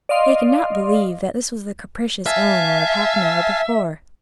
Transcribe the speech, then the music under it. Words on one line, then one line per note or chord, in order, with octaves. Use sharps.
They could not believe that this was the capricious Eleanor of half an hour before.
D5 D#5 F5 C6
E5 F5 G#5 A5